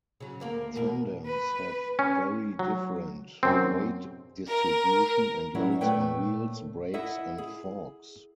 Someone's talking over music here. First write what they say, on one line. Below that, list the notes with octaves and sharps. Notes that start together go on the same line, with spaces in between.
Tandems have very different weight distribution and loads on wheels, brakes, and forks.
C#3 F#3
D2 A#3 A#4
E2 B2 A#4
B4
C#4
F#3
F#2 C4
A#4
F#3 G3 B3 C#4 E4
A#2 A3 B4 C#5 G5
E4 A4 D#5 E5 F#5
G#4